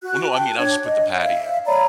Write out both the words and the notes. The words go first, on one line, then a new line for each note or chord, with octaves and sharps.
Well, no, I mean, I'll just put the patty in
F#4 F#6
G5 A5
D4 C#5 G#6
D#5
E5 F5
C#5 D5 A#5 B5